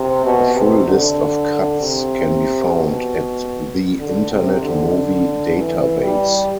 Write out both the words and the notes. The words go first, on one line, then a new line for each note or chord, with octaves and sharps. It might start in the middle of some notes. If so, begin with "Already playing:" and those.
A full list of cuts can be found at the Internet Movie Database.
Already playing: C3
B2
C3
D3
C3
B2
D3
C3
D3
E3
G3